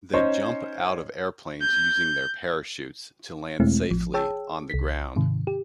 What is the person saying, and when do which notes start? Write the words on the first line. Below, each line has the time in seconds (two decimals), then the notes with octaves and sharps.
They jump out of airplanes using their parachutes to land safely on the ground.
0.13 C#4 D#4 C5 C#5 D#5
1.61 G6
3.60 E2 B2 G#3 A3 C4 E4
3.91 A1 F3
4.14 G#4 C#5 G5 A5 E6
4.70 C2 B6
5.16 G#2 C3 D#3
5.47 G4